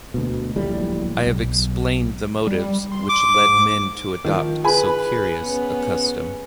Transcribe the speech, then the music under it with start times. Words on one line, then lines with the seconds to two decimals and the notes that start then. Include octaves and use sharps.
I have explained the motives which led men to adopt so curious a custom.
0.14 D2 B2
0.56 D1 A#1 A2 G3
1.27 B1
2.47 G3
2.92 C6
3.09 D6
3.34 G#2
4.24 D#3 F3
4.64 G#4 B4 G#5 B5
5.42 B3 C#4